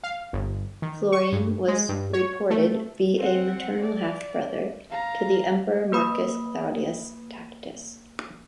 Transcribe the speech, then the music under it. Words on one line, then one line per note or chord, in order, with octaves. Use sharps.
Florian was reported be a maternal half-brother to the Emperor Marcus Claudius Tacitus.
F5
G1
D#3
C#6
G2
G#3
G2
C#5
A3
C4 F#5
D5
F5 A#5
A#3 B4 B5 D#6